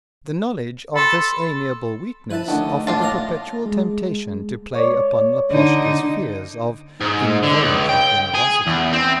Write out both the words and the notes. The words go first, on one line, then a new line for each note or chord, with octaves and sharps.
The knowledge of this amiable weakness offered a perpetual temptation to play upon Laploshka's fears of involuntary generosity.
A4 B5 C6
F3 E4 B4 E5 A5
D2 D#3 D4 F#5 A5
A#1 D4 F4 E5 A5
A2 F5 A#5
G#3
C#5 D5
D3 D#4
G#2
D3
C#2
G5
G#4
E2
C4